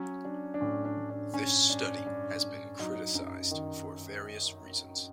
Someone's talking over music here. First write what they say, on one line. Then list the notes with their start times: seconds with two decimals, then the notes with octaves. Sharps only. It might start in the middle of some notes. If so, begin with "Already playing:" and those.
This study has been criticized for various reasons.
Already playing: F#3 C#4
0.25 F#3 D4
0.54 D4
0.61 A2 C#4
0.85 D4
0.97 A2
1.10 D4
1.34 G2 C#4
1.70 G2 D4
2.07 G2 D4
2.42 G2
2.79 F#3 D#4
3.15 F#2
3.51 D#3